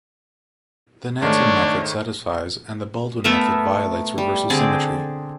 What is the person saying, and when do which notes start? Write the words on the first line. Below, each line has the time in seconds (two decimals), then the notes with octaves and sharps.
The Nanson method satisfies and the Baldwin method violates reversal symmetry.
1.22 G#2 D#3 A3 D4 C#5
3.24 A3 B3 A#4 E5
4.18 G3
4.50 D3 C4 G#4 D5